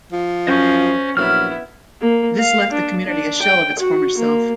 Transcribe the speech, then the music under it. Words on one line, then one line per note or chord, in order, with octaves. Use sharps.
This left the community a shell of its former self.
F3
F#2 C#4 C5 D#5
A#1 F#3 B3 E4 F6
A#3
F5
D4
D4
G5
F#4
A#3